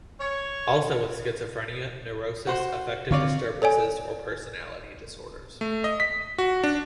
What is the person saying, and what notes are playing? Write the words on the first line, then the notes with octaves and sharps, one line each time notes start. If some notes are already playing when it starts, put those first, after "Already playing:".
Also with schizophrenia, neurosis, affective disturbances or personality disorders.
C#5
F#4 C5 C6
D3 C4 F4 C#5 D5
A4 C#5 D5 G#5
A3
D#5
B6
F#4
D4